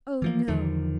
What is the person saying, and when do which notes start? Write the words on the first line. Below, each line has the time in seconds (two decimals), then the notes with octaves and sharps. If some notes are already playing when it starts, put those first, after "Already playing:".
"Oh, no!"
0.22 E3 F3 A#3
0.48 E2 D3 D#3 F3